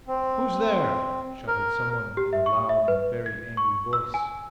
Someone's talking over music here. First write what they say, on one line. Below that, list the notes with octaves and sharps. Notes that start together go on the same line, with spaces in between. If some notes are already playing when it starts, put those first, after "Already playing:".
"Who's there?" shouted some one in a loud and very angry voice.
C4
A#4
G4
E5
C#6
E5
B4
G#6
C#6
E6
G#5